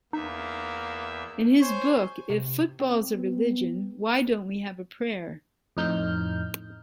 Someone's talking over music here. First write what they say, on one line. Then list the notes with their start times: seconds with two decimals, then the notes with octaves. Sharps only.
In his book If Football's a Religion, Why Don't We Have a Prayer?
0.13 E2 A#3 D#4 E5
1.61 C5 C#5 G#5
2.30 C3
2.80 C4
3.15 B3
5.77 F2 A2 D#4 F6 G6